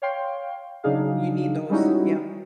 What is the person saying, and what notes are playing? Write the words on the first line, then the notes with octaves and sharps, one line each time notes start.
You need those. Yeah.
C#5 F5 G5 C6
C#3 F#3 D4 D#4 G#4 F5
G3 G#3 C#4 D#4 E4 F#4